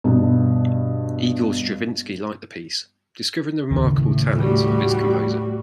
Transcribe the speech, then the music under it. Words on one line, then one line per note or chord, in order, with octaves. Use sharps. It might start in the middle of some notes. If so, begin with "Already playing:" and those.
Igor Stravinsky liked the piece, discovering the "remarkable talent" of its composer.
G2 B2
D#2 A2 C#3
G3 F#4